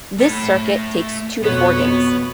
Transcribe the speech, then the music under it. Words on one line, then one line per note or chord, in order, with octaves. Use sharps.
This circuit takes two to four days.
A3 B5
F2 B2 B3 C#5